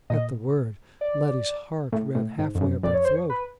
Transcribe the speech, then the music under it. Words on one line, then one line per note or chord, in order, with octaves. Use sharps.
At the word, Letty's heart ran half-way up her throat.
A#2 D#5
D5
A2
A2
G#2
F2
F#2
F2 D5
C#5
C5
C#5
B4